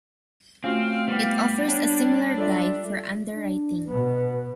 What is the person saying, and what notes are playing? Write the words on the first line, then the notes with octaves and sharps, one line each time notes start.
It offers a similar guide for underwriting.
A3 C4 C#4 F4 F#4 F5
G3 B3 G5
D4 C#5
F4 A4 D5 E5
D4
B2 B3 B4